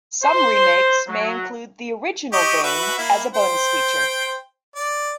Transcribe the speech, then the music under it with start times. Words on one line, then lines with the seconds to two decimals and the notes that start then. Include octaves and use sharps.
Some remakes may include the original game as a bonus feature.
0.23 C5
1.07 F#3
2.33 G4 D#5 C#6
2.63 F#4 B4 E5
2.98 A#3 E4
3.34 C5 G5
4.75 D5